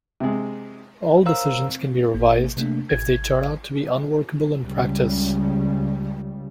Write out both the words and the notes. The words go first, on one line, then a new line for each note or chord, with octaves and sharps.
All decisions can be revised if they turn out to be unworkable in practice.
C3 G#3
A#4 C5 C#5 F5 A#5 E6
C4
G#1 A#3
C3 A3 A#3 D4
G#1 G#6
C#2 C#3 G3